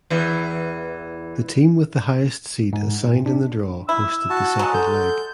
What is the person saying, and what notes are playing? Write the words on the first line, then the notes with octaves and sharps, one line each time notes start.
The team with the highest seed assigned in the draw hosted the second leg.
E2 E3
G#2
A#2
D4
E4 E6
F#4 A5
F#3 G#3
A4 G6